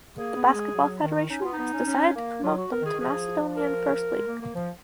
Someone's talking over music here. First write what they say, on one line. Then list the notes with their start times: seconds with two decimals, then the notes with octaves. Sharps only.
The Basketball Federation has decided to promote them to Macedonian First League.
0.17 A#3 G#4
0.36 B3
0.55 G#3
0.74 F#3
1.02 D#3
1.30 C#4 D#4
1.42 B3 F4
1.53 D#4
1.59 B3
1.73 C#4
1.86 C#4
2.15 A#3
2.43 F#3 F4
2.58 F#4
2.72 A#4
2.82 D#3
2.86 G#4
2.94 D#3
3.00 F3 G#4
3.57 A#4
4.13 G#3
4.28 A#3
4.42 A#3
4.55 F3